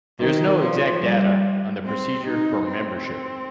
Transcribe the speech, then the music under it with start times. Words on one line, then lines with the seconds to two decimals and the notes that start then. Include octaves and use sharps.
There is no exact data on the procedure for membership.
0.19 D#3
0.61 F3
1.02 G3
1.85 C4
2.26 D#4
2.68 C4